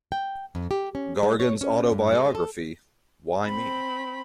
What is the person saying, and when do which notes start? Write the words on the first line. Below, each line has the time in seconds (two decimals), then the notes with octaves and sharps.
Gargan's autobiography, Why Me?
0.12 G5
0.55 F2
0.71 G4
0.95 C#4
1.23 G#3
1.40 C#5
1.61 C#4
1.92 G2
2.13 G#3
2.35 A4
3.45 C4 B5